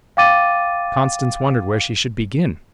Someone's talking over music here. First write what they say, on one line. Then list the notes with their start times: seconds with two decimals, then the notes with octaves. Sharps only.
Constance wondered where she should begin.
0.17 F5 G5 D6 A6 D#7